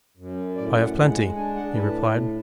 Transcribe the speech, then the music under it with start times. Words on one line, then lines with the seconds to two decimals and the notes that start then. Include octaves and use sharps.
"I have plenty," he replied.
0.17 F#2
0.56 A2 D5
0.82 F#5
0.96 G#3
1.09 F#5
1.36 D4 G#5
1.56 F#5
1.75 A2 B4